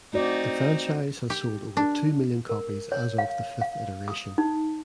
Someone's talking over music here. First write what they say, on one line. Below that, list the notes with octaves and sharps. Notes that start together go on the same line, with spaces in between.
The franchise has sold over two million copies as of the fifth iteration.
A3 C4 D#4 F#4 D5
G4
D4
A#4
C#5
F5
F5
D#6
D#4